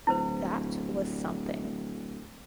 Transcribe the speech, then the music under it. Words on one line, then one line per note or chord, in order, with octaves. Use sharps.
That was something.
D1 E4 B4 C5